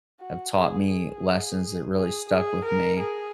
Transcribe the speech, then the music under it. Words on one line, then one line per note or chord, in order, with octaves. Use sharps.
have taught me lessons that really stuck with me,
F#4
G#4
G#4
G#4
G#4
A#4
G#4